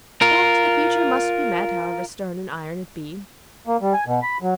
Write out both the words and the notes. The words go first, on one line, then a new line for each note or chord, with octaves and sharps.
But the future must be met, however stern and iron it be.
F4 A#4
A#3
G3
G#5
B2
B5
F#3